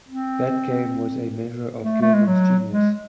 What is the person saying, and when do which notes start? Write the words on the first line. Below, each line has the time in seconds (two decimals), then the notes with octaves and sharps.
That game was a measure of Gillman's genius.
0.09 C4
1.83 A3
2.02 A3
2.14 G#3
2.27 F#3
2.70 G#3